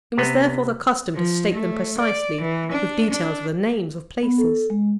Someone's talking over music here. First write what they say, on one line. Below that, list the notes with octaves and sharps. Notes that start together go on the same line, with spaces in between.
It was, therefore, the custom to state them precisely, with details of the names of places.
C3 B3
F3
A3
D5
E3
D4
D4
B3
A4
G#3